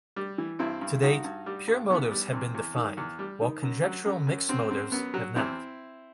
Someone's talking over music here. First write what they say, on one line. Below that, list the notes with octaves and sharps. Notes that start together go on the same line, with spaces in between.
To date, pure motives have been defined, while conjectural mixed motives have not.
G3
E3
G2 C4 E4
G2
G2 D#4 F#4
G2
G3
G2
E2 B3 D#4
G3
E2 C4
E2
D#3
E2
G3
D#3
F#2
F#3
F#2
F#2
F#2 C4
F#2 C4
F#2 B3
F#3
E2 C4 E4